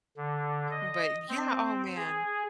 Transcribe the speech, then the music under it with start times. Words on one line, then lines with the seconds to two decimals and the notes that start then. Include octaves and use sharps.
But yeah, oh, man.
0.17 D3
0.71 D#5
1.29 C4
1.96 G#4